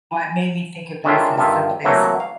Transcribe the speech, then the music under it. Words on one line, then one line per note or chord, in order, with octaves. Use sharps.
what made me think of this is some place
D#3 G#3 C#4 D4 E4 F4
G2 D3 D#3 F4 E5
C3 E3 F#3 A3 A#3
F5